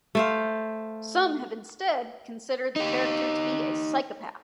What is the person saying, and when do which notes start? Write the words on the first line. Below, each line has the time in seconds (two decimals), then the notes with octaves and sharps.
Some have instead considered the character to be a psychopath.
0.15 A3 C5 F5
2.76 D#4 G4